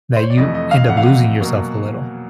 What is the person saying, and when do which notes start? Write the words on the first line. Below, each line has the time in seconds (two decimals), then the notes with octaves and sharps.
that you end up losing yourself a little.
0.16 C5
0.23 C#5
0.30 D5
0.37 F2 C3 E3 A3 D#5
0.54 D#5
0.71 F5
0.88 F2 C3 E3 A3 F#5
0.97 F5
1.05 F#5
1.40 B2 F#3 A#3